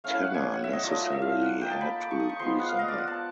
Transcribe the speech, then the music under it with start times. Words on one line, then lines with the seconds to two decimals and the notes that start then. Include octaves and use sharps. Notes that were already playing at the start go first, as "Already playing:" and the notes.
Tanner necessarily had to resign.
0.04 A3 C#4 E4 F5
0.14 F5
0.24 F#5
0.34 G#5
0.54 F#5
0.64 E5
0.73 D#5
0.83 F#3 A3 D4 F4 D5
0.92 D#5
1.02 E5
1.12 E5
1.22 F5
1.42 F#5
1.62 A#3 D#4 G5
1.71 A5
1.81 B5
2.00 D6
2.11 C#6
2.20 D#6
2.29 C#6
2.39 F3 G#3 B3 C6
2.59 F#5
2.69 F5
2.79 D#5
2.88 D5
2.98 F#5
3.08 A5